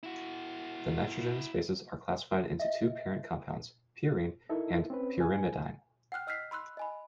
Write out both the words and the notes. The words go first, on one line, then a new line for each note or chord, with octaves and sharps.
The nitrogenous bases are classified into two parent compounds, purine and pyrimidine.
E4 F#4
D#5 E5
D#4 E4 A4 A#4 E5
C4 C#4 B4
G#5
F#5 G5 F6 F#6
D#5 E6 F6 G6 B6 C7
B5 C6 E6 F#6
D#5 G#5 B5